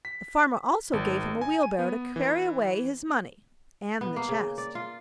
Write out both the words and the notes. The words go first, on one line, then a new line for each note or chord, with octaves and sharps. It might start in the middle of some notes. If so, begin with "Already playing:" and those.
The farmer also gave him a wheelbarrow to carry away his money and the chest.
B6
G#1
G#5
D#7
B3
E3
B3
A#3
C#3
D5
F4